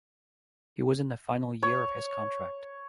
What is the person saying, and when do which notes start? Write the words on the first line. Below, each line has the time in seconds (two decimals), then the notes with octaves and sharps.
He was in the final year of his contract.
1.63 C#5